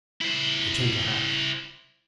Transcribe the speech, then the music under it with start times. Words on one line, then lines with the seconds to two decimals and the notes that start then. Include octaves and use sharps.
He turned to Hatch.
0.21 E4 C5